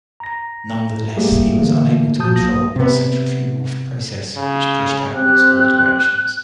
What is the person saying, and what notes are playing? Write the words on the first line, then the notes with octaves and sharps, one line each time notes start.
Nonetheless, he was unable to control the centrifugal process which pushed outwards all directions.
A#5 A#6
G3 A3 A#3 G4 G#4
D3 E3 A3 A#3
A#2 F3 F#4 A5 D#6 G6
B1 A#3 D#6 A#6
C3 B3
C#3
C4 G4 F#6